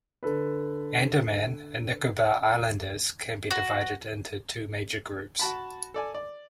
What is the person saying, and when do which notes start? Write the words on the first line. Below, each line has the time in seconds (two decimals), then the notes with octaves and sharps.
Andaman and Nicobar islanders can be divided into two major groups.
0.23 D3 A4 B4
3.51 F#4
5.39 F#4 A5 B5
5.94 A4 D5 G#5
6.14 D5